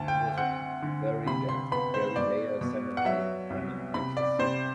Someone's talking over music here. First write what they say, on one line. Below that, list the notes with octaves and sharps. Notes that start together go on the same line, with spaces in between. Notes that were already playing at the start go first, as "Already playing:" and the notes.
He was buried at Prairie Lea Cemetery in Brenham, Texas.
Already playing: D2 D3 A5
G5
C4 F#5
D3
C3 B5
C6
B3 B5
C5
B2 D5
B2
F#5
F#3 E5
C2
C3 B5
D5
C3 C5